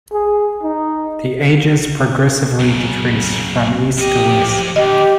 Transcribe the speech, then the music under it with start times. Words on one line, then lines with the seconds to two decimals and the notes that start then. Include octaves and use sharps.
The ages progressively decrease from east to west.
0.12 G#4
0.63 D#4
2.59 F#2 C#3
3.98 F2 G4 D#5
4.76 D2 G4 D#5